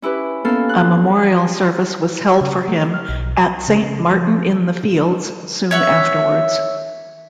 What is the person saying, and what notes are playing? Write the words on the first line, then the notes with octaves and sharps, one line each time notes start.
A memorial service was held for him at Saint Martin-in-the-Fields soon afterwards.
C#4 E4 G4 B4
A#3 B3 C#4 A4 F5
F#6
C#3
A3
F6
B1
B5
C#3
F3
C#5 E5 F#5